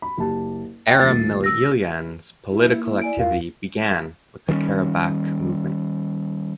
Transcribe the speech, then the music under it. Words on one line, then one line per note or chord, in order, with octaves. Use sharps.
Aram Mayilyan’s political activity began with the Karabakh Movement.
B5
F#1 G4 A5
G5 A6 C7 C#7
D#1 D2 A6
E6 A#6
E4
A#3
E4
D5 G#5 D7
E2 F4 A#4 F5
D#3 G3 A3 C#4